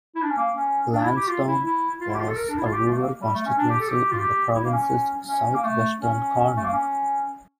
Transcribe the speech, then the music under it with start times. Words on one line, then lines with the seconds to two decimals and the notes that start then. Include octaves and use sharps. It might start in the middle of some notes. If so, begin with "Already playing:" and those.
Lansdowne was a rural constituency in the province's southwestern corner.
0.15 E4
0.23 D4
0.30 C#4
0.37 A#3
0.55 C#4
0.92 D4
1.04 E4
1.16 G4
1.28 F4
1.47 E4
1.65 E4
2.01 F4
2.10 E4
2.14 G4
2.19 F4
2.28 A4
2.37 A#4
2.49 D4
2.58 E4
2.65 F4
2.73 G4
2.85 F4
2.91 A3
2.98 A#3
3.21 G3
3.34 A3
3.46 C#4
3.58 D4
3.70 G4
3.80 A4
3.89 G4
4.12 F4
4.19 G4
4.55 E4
4.64 A#3
4.73 C#4
5.27 C#4
5.54 A#3
5.64 A3
6.00 C#4
6.57 A3
6.64 A#3
6.73 C#4